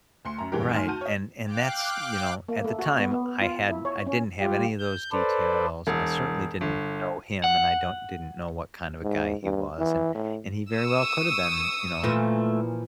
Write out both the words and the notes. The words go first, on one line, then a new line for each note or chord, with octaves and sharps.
Right, and and that's, you know at the time, I had I didn't have any of those details. I certainly didn't know him, and I don't didn't know what kind of a guy he was. And and he very well could have been, you know,
D2 C6 C#7
F#2 A#5
F1 G2 E3 G#3 G4 A#4
D2 D#3 D#4 G#5 C6 F6
F#4 A5 G6 D#7
C#5 D#5
F5 G5 D6 F#6
A#3
A3
F#4
B3
B3
F4
E4
C#5
C#4
G3 F4 G4
G6
A4 B4 C5 D5
E1
G1
F#5
G#2
G2
E3
A2
C#6 D#6 E6
A#2 E3 F3 A3